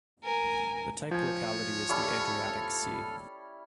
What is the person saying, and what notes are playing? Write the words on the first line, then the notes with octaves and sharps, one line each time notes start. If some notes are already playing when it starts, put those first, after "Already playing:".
The type locality is the Adriatic Sea.
A#4 G#5
F3 C#5 G5 G#5
G3 C#4 E4 A4 F6